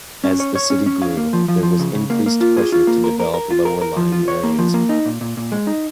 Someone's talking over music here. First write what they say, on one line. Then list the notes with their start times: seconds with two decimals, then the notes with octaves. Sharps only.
As the city grew, there was increased pressure to develop lower-lying areas.
0.24 C#4
0.40 C#5
0.55 C#5
0.70 C#4
0.86 C#4
1.02 F5
1.17 A#3
1.33 F3
1.48 F3
1.63 F3
1.79 C#3
1.95 C#3
2.10 A#3
2.26 A#3
2.41 F4
2.57 G#4
2.72 F4
2.87 A#3
3.04 A#4
3.20 A#4
3.34 A#4
3.51 F4
3.65 A#4
3.82 A#4
3.96 F3
4.12 F4
4.28 C#5
4.44 A#3
4.59 F3
4.74 A#3
4.89 D#4
5.06 A#2
5.21 A#2
5.37 A#2
5.52 G#3
5.67 D#4